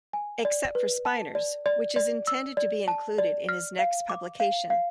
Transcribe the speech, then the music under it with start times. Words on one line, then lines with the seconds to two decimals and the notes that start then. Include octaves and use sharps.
Except for Spinors, which is intended to be included in his next publication.
0.13 G#5
0.45 D5
0.75 B4
1.05 A5
1.35 D5
1.66 D5
1.96 D5
2.27 E6
2.57 D5
2.88 A5
3.18 D5
3.49 F6
3.79 F5
4.10 D6
4.40 F5
4.70 F5